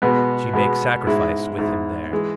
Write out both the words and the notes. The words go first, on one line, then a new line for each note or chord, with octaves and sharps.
She makes sacrifice with him there.
B2 G#3 B3
B2 G#3 B3
G#2 G#3 E4
G#2 G#3 E4
E3 G#3